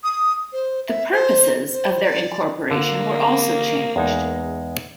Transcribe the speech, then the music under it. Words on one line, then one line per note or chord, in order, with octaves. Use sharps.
The purposes of their incorporation were also changed.
D#6
C5
E5
C5
C5
D5
D3 A#3
E2 G#3 D#4